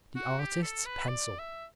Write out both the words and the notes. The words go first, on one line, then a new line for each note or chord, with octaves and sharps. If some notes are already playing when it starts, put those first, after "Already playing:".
The artist's pencil!
F#4
G4
A4
B4
D5
E5